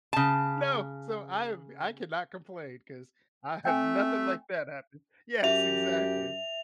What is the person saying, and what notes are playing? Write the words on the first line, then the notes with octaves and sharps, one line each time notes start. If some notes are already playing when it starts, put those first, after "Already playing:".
No, so I have I cannot complain 'cause I have nothing like that happen Yes, exactly.
C#3 A5
A3 C4 E5 G5 G#5
F#2 G4 E5 F7